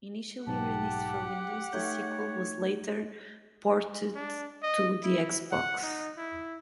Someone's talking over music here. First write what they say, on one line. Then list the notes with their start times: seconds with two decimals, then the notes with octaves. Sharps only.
Initially released for Windows, the sequel was later ported to the Xbox.
0.47 B1 G#2 G4 F#5 A5
1.73 A3 D#4 C#5 G6
4.15 D4
4.63 D#5
5.04 E4
5.51 F#5
5.83 D#4
6.17 E4